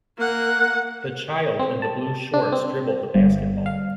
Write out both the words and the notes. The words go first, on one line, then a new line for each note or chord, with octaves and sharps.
The child in the blue shorts dribbled the basketball.
A#3 F#5
C4
A5
D4
C4
G1
F5